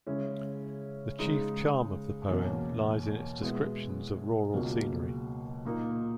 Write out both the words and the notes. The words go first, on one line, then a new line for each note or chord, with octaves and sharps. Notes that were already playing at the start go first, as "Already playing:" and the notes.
The chief charm of the poem lies in its descriptions of rural scenery.
C#3 G#3 C#4 E4
C#3 G#3 D#4
E2 B2 A#3 C#4
B2 G#3 B3 E4
C#2 B2 F#3 A#3
A#2 A#3 D#4